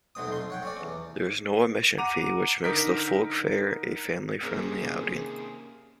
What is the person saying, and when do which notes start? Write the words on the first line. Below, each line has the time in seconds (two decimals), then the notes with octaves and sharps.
There is no admission fee which makes the Folk Fair a family friendly outing.
0.15 B1 F#3 C4 D#6
0.28 B1 F2 C6
0.50 C#5 F#5 G5
0.63 C4 C#4 D5
0.81 E2
1.98 F#5 A#5 D6 D#7 F7
2.64 D3 D#4 A#4 G6 B6
4.42 C3 D#3 A#3 C#4 G#4 A#4